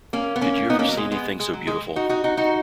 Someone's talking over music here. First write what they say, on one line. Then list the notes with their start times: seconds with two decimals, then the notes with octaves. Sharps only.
Did you ever see anything so beautiful?
0.13 A#3 C#4
0.36 B3
0.41 A#3 C#4
0.70 B3 D#4
0.79 A#3 C#4
0.88 F#3
0.97 G#3
1.11 G#3 B3
1.40 G#3
1.53 F#3
1.67 G#3
1.96 D#4 F#4
2.09 D#4 F#4
2.24 D#4 F#4
2.37 D#4 F#4